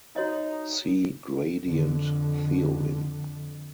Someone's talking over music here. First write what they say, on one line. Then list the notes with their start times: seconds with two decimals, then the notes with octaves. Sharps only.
See gradient theorem.
0.16 D#4 F#4 C#5 D#5
1.65 F2 D3